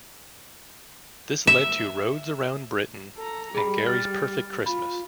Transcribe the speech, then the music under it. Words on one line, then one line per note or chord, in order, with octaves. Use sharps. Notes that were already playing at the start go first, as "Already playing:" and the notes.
This led to "Rhodes Around Britain" and "Gary's Perfect Christmas".
E5
A4 A#5
G3 G#4 B5
F6 A6
F4 B5